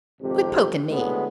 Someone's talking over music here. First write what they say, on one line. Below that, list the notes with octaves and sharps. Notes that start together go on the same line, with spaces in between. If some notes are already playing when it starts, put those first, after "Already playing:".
"Quit poking me!"
G#1 F2 C3 G4
D2 A2 G#3 B3